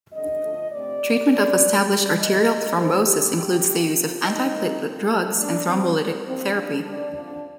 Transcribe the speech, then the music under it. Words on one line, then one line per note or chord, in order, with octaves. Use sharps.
Treatment of established arterial thrombosis includes the use of antiplatelet drugs and thrombolytic therapy.
F2 D3 G3 D#5
D2 D3 F3 A3
D2 C3 F3 A3 C4 D5
A2 G3 A#3
D#2 D3 A3 C4 D5
A#2 G3 A#3
D2 D3 A3 D5
D#2 D#3 G3 A#3 D#5
F2 D3 F3 A#3
D#2 D#3 A3 C4 C5
F2 D#3 G3 G4
G2 D#3 A#3 G4
G2 D3 A3 C4
C3 F3 C4 F4
D#2 D3 G3 C4 D#4
D#2 D#3 A#3
G2 F3 C4
D2 C3 D#3 A3
D2 D3 A3 D4
D2 D3 F3 C4
A2 G3 C4
G2 D#3 A#3 C4
D2 C3 F3 A#3 D4
F2 D#3 G3 D4
D2 D3 F3 C4 D4